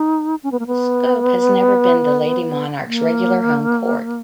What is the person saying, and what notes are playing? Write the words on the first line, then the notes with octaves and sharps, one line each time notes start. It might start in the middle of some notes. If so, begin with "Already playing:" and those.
The Scope has never been the Lady Monarchs' regular home court.
Already playing: D#4
C#4
B3
A#3
B3
A#3